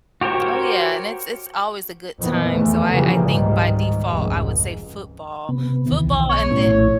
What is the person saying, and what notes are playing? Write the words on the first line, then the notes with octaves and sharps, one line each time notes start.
Oh, yeah and it's it's always a good time so, I I think by default, I would say football. Football and then
F#4 G4 A#4 C5 C#5
F2 A#2 D#3 E3 B3
E2 A3
A#2 C#3 E3 F3 G3 A#3
C#2 G#2 D#3 G3
F1 C#2 G#2
C3 B3
D#2 D#3 E3
B1
B3 C#5
A2 A3 C#4 E4
A#1